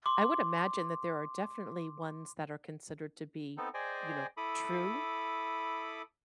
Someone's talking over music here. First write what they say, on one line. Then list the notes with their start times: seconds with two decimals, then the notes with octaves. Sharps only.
I would imagine that there are definitely ones that are considered to be, you know, true
0.06 C6 D6
3.57 B3 C4 D#4 A4
3.74 G#4 C5 D5 D#5 G5 G#5
4.37 E4 A4 B5 D6 D#6